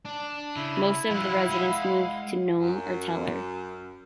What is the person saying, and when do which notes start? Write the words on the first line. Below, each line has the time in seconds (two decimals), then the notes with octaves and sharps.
Most of the residents moved to Nome or Teller.
0.05 D4
0.56 C#3 E4
1.11 F3 F#3 F5 F#5
1.50 G#3
2.61 F#2